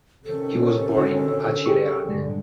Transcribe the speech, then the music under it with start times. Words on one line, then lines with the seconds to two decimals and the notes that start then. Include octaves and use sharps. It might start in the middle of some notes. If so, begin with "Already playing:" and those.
He was born in Acireale.
0.25 C3 D#3 C#4 A4
0.96 D3 F#4
1.66 G4 G#4 C#6
2.05 G2 D3 G#3